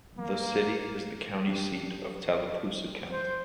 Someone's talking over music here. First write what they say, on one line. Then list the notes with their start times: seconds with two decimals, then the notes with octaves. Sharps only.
The city is the county seat of Tallapoosa County.
0.18 A#3
1.47 D4 G4
3.11 C5